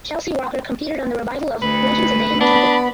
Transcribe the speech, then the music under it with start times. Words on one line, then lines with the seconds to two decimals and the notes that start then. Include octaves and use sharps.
Chelsea Walker competed on the revival of "Legends of the Hidden Temple".
1.62 D2 B4
2.40 B3 D4 B5